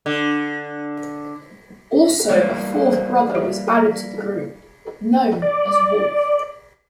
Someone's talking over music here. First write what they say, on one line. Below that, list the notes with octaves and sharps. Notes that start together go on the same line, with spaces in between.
Also a fourth brother was added to the group known as Wolf.
D3
E3 G3 G#3 A#3 B3 C#5
C5
G4 E5
D5